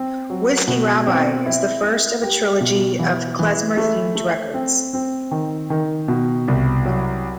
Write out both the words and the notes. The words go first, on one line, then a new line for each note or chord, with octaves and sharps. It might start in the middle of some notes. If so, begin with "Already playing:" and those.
"Whiskey Rabbi" is the first of a trilogy of klezmer-themed records.
Already playing: C4
F#3
B2
C4
E4
E4
G4
B2
E3
E3
A3
A3
C4
C4
D#3
D#3
B2
C2
F#3